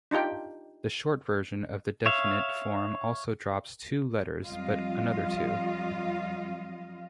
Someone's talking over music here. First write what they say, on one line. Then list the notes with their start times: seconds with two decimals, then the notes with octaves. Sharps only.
The short version of the definite form also drops two letters, but another two.
0.11 D4 D#4 F4 G4 G5
2.06 C#5 E5 F5
4.46 F2 F#3 G3 F4 D#5 F5